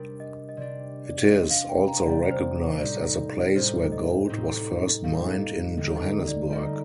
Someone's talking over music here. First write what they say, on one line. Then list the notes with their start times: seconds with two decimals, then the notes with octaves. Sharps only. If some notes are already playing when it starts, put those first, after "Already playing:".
It is also recognized as the place where gold was first mined in Johannesburg.
Already playing: C3 G3 D4 A#4
0.20 D#5
0.49 D#5
0.57 C3 G3 D4 D5
1.07 D5
1.31 C3 G3 D4 D#5
1.50 F5
1.69 G5
1.88 A#5
2.06 C3 G3 D4 D5
2.31 C5
2.80 A2 G3 C4 D#4 D5
3.55 A2 G3 C4 D#4 C5
3.92 D#5
4.29 A2 G3 C4 D#4
5.04 A2 G3 C4 D#4 F5
5.40 D#5
5.77 D3 G3 A#3 D#4 D#5
6.02 D#5
6.28 D5
6.50 D3 G3 A#3 D#4 D#5